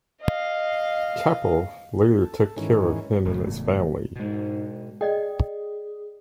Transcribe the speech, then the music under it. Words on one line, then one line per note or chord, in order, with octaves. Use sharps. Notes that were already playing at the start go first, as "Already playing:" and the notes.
Keppel later took care of him and his family.
D#5 F5
A4
G#2 D#3 E3 C#4
E1 A2 C#3
G#2 B2 G#3
G#4 D5 D#5 G5